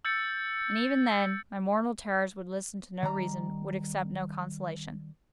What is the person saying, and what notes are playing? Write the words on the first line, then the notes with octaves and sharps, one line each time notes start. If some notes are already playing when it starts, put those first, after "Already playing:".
And, even then, my mortal terrors would listen to no reason--would accept no consolation.
E6 G6 A6 C#7
D#3 G3 A#5